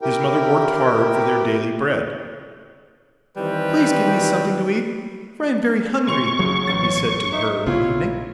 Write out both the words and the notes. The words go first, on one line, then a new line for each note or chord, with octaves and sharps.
His mother worked hard for their daily bread. "Please give me something to eat, for I am very hungry," he said to her one evening.
E4 G4 A#4 G5
D#3 E3 G3 C4 B4
C3 C#5 C6 C#6 F7
F#1 C#3 F#3
A1 A6
D#4 E5
A#1 C#3 B3 E4 F4 C#5